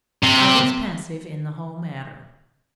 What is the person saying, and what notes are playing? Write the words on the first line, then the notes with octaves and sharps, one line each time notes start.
I was passive in the whole matter.
C3